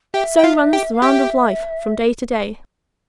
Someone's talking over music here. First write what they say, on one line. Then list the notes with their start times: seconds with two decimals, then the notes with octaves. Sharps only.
So runs the round of life from day to day.
0.13 G4 E5 G5
0.39 G5
0.44 F4 F5
0.73 G4 G5
0.93 F5
1.02 G4 E5 G5